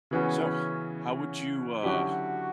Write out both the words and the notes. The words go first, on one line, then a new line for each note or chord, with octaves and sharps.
So, how would you, uh,
C#3 E3 B3 C#4 F#4
C#4
D3 F#3 C#4 E4 F#4 G4